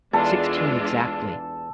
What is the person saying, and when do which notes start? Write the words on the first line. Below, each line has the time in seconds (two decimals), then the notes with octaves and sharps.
"Sixteen, exactly."
0.13 E2 G#3 D4 F4 A4